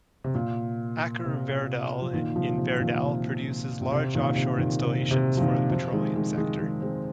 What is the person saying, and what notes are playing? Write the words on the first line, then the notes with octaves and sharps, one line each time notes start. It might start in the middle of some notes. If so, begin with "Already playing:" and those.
Aker Verdal in Verdal produces large offshore installations for the petroleum sector.
C3
A#2
C3
F3
A#2 D#3
C3 F3
A#2
C3
A#2 D#3
C3
A#2
C3
A#2 D#3
C3
A#2 D#3
C3
C3
F3
A#2 D#3
C3 F3
D#3 G#3
D#3 G#3
D#3 G#3
D#3 G#3
G#3 C4